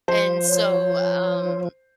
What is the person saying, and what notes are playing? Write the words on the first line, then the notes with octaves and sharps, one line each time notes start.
And so, um,
F3 C5
C#5